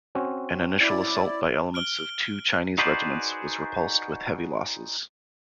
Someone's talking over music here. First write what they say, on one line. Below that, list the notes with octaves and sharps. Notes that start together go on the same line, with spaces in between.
An initial assault by elements of two Chinese regiments was repulsed with heavy losses.
C4 C#4 F#4
E4 D5
F6 D7 G7
D#4 F#4 G#4 B4 C5 D5